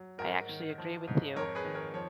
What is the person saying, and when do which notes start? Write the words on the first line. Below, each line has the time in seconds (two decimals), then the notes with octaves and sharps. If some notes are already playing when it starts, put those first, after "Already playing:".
I actually agree with you.
Already playing: F#3
0.19 G#2 F#4 A#4
0.49 D#3
0.78 F3
1.07 G#2
1.36 F2 A#4 C#5
1.55 G#4 B4
1.65 D#3
1.75 A#4 C#5
1.94 F3 C#5